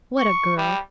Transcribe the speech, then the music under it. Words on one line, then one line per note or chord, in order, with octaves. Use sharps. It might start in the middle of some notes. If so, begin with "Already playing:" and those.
What a girl!
C#6
G3